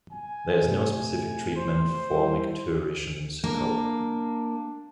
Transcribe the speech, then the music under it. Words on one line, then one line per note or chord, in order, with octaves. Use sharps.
There is no specific treatment for micturition syncope.
G#5
C3 A3
C5
G3 E4 A#4
A#3 D4